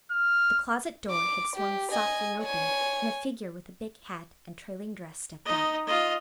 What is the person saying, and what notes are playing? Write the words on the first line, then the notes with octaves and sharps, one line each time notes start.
The closet door had swung softly open, and a figure with a big hat and trailing dress stepped out.
F6
D6
G4
D#5 G#5
C#5 G#5
D#4 D#5
F4 D#5